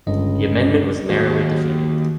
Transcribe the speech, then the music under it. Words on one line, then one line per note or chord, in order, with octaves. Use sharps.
The amendment was narrowly defeated.
G1 C#2 G2 D#5
D#2 F#3 F#4